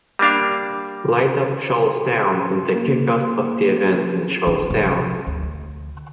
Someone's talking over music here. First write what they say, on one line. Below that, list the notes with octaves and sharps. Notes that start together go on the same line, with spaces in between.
Light Up Charlestown is the kick-off of the event in Charlestown.
G3 A#3 D4 F5
A#3
D4
C3 F3
D2